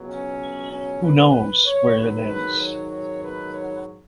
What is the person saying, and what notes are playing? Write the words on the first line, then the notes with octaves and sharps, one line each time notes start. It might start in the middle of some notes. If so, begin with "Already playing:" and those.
Who knows where it ends?
Already playing: C#2 B2 F#3
C#4
C#4
B4
B4
C#5
G#2 D#3 F#3 B4
B4
C#5
C#5
B4
C#5